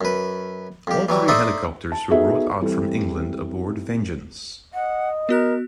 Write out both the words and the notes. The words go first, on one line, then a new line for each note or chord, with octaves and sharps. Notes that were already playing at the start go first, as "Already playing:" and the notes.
All three helicopters were brought out from England aboard "Vengeance".
F#2 B4
F2 G4
E3 F#3 G3
D4 D#4 A4 C5 E5 F#5
A5
B3 D#4 F#4 G#4 A4 E5
E3 G3 C4 A4
D#5 F#5
B3 F#4 A#4 F#6